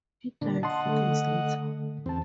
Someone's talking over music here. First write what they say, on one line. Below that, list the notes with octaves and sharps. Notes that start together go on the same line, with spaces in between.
He died four days later.
A#2 D3 D4
D#5 F#5 A5 C6
D3 A3 A4
E2 C4 A5